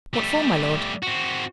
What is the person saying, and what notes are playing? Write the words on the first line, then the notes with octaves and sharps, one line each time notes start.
"What for, my Lord?"
G3 A3
C4 F#4